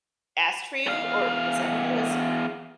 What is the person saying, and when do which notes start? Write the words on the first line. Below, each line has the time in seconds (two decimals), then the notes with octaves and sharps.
asked for you? Or was that what it was?
0.87 E2 F5